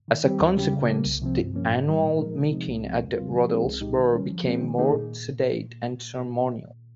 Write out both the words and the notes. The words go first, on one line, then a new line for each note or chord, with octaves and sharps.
As a consequence, the annual meeting at the Rudelsburg became more sedate and ceremonial.
D#3
G3 C4 G4
D#2
C#3 G3 C#4 G4
C#3
G3 A#3
C2
C3 F3 C4
G2
F3 A#3 C#4
G#2
D#3 G3
A#2
F3 G#3 D#4 A#4
C3
F3 G#3 C4 D#4
C2
C3 F3 G#3 C4
F2
C#3 G3 C4 F4
F3
G#3 C4 D#4 G#4
C2
A#2 G#3 D#4 G4
D#3
G3 C#4
F3
G#3 C4
D#3
A#3 D#4 G#4
A#2